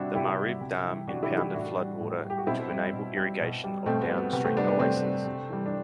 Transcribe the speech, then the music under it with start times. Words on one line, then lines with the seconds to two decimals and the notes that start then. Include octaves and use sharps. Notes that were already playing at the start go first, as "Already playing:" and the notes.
The Ma'rib dam impounded floodwater to enable irrigation of downstream oases.
Already playing: C3 G3 C4 D4 E4 F#4
0.15 C3 E4 G4
0.38 G3
0.61 C3
0.85 E3 G3
1.07 C3 D4 F#4
1.23 E4 G4
1.30 E3 G3
1.38 E4 G4
1.54 A2 D4 F#4
1.77 G3
2.00 A2
2.24 G3
2.30 G4
2.38 F#4
2.47 B2 C4 E4
2.70 G3
2.93 B2
3.17 G3
3.41 B2
3.64 G3
3.86 B2 A3 C4
4.02 B3
4.09 G3
4.18 B3
4.33 C3 B3
4.45 A3 C4
4.57 G3 B3 D4
4.68 B3 D4
4.79 C3 A3 C4
5.03 G3
5.25 C3
5.49 E3 G3
5.66 D4